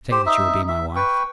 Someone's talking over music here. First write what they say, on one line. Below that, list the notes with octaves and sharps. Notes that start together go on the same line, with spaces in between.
"Say that you will be my wife."
G4 C5
D#4 E5
E5
B4 G5 C#6